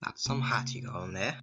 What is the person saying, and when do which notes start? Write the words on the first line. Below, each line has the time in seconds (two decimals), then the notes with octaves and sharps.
That's some hat you got on there.
0.26 C3 A#3